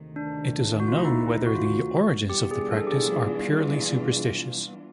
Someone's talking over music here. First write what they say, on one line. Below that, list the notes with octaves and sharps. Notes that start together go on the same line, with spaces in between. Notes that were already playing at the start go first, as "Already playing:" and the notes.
It is unknown whether the origins of the practice are purely superstitious.
Already playing: D2 C3 D#3
D4
F#4
F4
E4
D#4
E4
F#4
F4
F#4
E3 G3 B3 D4 F4 G4
G#4
A4
G4
G#4